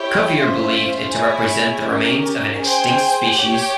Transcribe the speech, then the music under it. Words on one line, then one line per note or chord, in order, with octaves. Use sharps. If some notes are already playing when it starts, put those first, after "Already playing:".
Cuvier believed it to represent the remains of an extinct species.
Already playing: E4 G4 C#5 G5
C#4 F4 C5 E5
E4 G#4 C#5 E5 G#5
C#4 G4 A#4
G#4 C5 G5
G4 C#5 G5